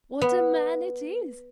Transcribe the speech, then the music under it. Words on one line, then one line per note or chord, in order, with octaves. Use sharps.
What a man it is!
B3